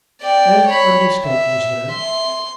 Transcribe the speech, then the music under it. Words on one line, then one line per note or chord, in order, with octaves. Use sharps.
And Undy Scott was there.
D5 G5
C#5 B5
E5
C6